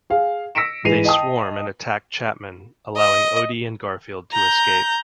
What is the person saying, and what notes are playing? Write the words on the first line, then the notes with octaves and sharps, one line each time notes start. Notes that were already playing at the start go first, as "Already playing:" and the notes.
They swarm and attack Chapman, allowing Odie and Garfield to escape.
G#4 F5
E6 A#6 B6 C#7 D7 E7
G#2 E3 G#4 C7 D#7 F7
D#5 G5 A5 D#6
D#5
A#5 G6